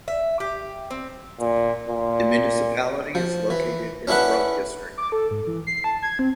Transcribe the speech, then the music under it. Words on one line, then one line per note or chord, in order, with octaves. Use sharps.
The municipality is located in the Brugg district.
E5
G4
C4
A#2
A#2
F3
E3
C#4 D4 E4 B4 F#5
D6
A4
G#2
E3
C7
A5
G#6
C4